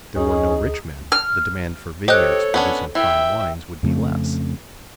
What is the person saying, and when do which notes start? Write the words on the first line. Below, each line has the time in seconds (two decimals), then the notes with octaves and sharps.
If there were no rich men, the demand for vineyards producing fine wines would be less.
0.16 D2 C#4 D#4 G#4
1.12 F6
2.08 G4 A4 C5 C#5 D#5 F#6
2.54 B3 C#4 D4
2.95 E3 E5 G5
3.83 F2 C#3 A3 C4